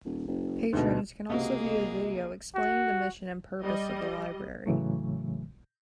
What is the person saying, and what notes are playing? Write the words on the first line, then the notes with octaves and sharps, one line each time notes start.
Patrons can also view a video explaining the mission and purpose of the Library.
D#1
F#1
D2 G#2 B2
C#2 C3 A#3 F#4 G#4 D#5
F#4
G3 D#5
A2 C#3 E3 F#3 A3